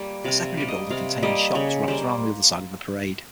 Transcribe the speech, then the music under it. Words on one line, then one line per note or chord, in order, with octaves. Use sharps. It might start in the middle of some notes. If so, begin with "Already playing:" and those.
A secondary building containing shops wraps around the other side of the parade.
Already playing: G3 A#3
C3 F5
G3 A#3
D#5
C3 F5
G3 A#3 D#5
C#3 C#5
G3 A#3 C5